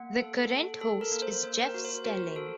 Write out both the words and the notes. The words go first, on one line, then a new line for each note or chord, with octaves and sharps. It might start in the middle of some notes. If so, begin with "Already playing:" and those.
The current host is Jeff Stelling.
Already playing: A#3 F#5
A4
A4
A4
A#4
A#3
C5
A#3 C5
A#4
F#4
C5
F#4 A#4
F#4 A4